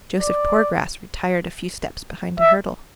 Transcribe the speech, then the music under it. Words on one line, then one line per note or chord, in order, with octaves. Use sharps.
Joseph Poorgrass retired a few steps behind a hurdle.
D5
E5